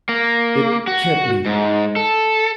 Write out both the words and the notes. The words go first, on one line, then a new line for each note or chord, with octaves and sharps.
It can't be.
A#3
F#4
G#2
A4